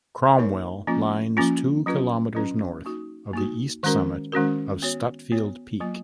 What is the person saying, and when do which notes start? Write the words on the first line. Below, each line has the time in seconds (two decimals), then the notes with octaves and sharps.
Cromwell lines two kilometers north of the east summit of Stutfield Peak.
0.38 A#3 D#4 A#4 C#5
0.87 F3 A#3 C#4 F4
1.37 F3 A#3 C#4 F4
1.86 F#3 C#4 F4 B4
2.35 F#3 C#4 F4 B4
2.85 A#3 D#4 F#4
3.33 A#3 D#4 F#4
3.83 D#3 G#3 C#4 F#4 A#4
4.32 D#3 G#3 C#4 F#4 A#4
4.82 B3 F#4 C#5
5.32 B3 F#4 C#5
5.80 F#3 A#3 F4